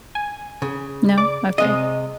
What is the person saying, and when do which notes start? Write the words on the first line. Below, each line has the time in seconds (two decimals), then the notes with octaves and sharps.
No? Okay.
0.15 G#5
0.62 C#3
1.18 D5 D6
1.58 C3 G#3 D#5